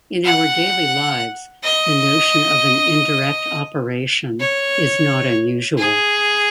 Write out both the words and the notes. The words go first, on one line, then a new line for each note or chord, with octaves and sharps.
In our daily lives the notion of an "indirect operation" is not unusual.
F#5
D#5
C#5
G#4